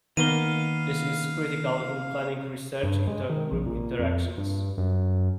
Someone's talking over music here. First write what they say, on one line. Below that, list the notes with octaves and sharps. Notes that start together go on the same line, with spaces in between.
This is critical in planning research into group interactions.
D#3 A#3 B3 D#4 F5 D#7 G7
G2
G#3
D#3
A#1
A#2
F2
G2
F#2